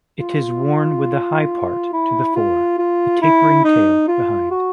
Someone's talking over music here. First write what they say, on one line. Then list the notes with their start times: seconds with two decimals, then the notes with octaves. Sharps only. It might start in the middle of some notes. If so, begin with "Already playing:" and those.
It is worn with the high part to the fore, the tapering tail behind.
0.21 F4
1.93 E4
2.36 F4
2.79 F4
3.22 E4
3.64 D#4
4.08 F4
4.51 F#4